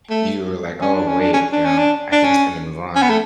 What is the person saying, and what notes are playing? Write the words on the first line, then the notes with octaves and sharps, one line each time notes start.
you're like, "Oh, wait," you know? "I think it's time to move on."
A3
C#4
D4
C#4
D4
C#4
D4
C#4
D4
D4
C#4
C#4
B3
A3